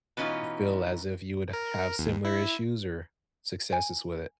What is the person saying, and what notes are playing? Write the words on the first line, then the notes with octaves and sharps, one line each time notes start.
f feel as if you would have similar issues or successes with it.
B2 E3 C#4 D#4 F4
A#4
D#2
E4
G#5